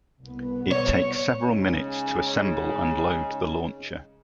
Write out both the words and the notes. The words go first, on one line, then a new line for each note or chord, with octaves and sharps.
It takes several minutes to assemble and load the launcher.
C2 B3
C#5
C#3 G#3 D#4